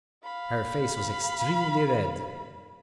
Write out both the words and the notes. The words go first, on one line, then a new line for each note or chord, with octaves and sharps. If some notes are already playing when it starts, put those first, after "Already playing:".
Her face was extremely red.
F5 B5